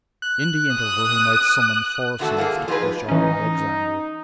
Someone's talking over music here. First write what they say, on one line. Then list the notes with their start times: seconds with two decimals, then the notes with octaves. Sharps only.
In the interval he might summon force enough to crush all Alexandria.
0.22 F#6
0.76 D#6
2.19 E2 D3 A3 F#4 A4
2.37 F#2 A#3 F#4 G#4
2.68 F3 G#3 D#4 F4 G#4 B4
3.09 E3 C#4 D#4